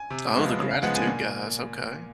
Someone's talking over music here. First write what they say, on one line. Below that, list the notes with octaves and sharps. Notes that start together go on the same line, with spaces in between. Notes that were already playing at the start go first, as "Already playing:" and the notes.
Oh, the gratitude guys. Okay.
Already playing: G#5
C3
F3 G#3 B3
C#3
F5
F3 G#3 B3 F#5
G#5
A#2